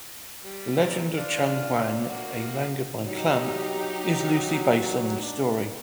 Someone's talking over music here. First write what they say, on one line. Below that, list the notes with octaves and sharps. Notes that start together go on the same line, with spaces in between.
"Legend of Chun Hyang", a manga by Clamp, is loosely based on this story.
G3
A#2
D4 F4 F6
A#3 F#4 F5
F#3 D#4 G4
D4